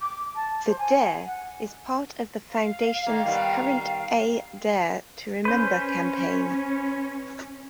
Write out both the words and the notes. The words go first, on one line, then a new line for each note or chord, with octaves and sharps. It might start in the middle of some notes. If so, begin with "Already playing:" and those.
The "dare" is part of the foundations current A Dare to Remember campaign.
D6
A5
C5
G#5
F#5
F5
D#3 A#3
D#3 G3 B3
C#4 B4 C5